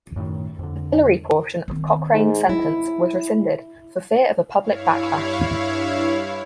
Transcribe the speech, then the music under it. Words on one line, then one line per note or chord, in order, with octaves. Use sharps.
The pillory portion of Cochrane's sentence was rescinded, for fear of a public backlash.
F#2 A2 D3 D#3
F2 D3
D#3 C4
G#2
E4
G2 E4 C#5 F5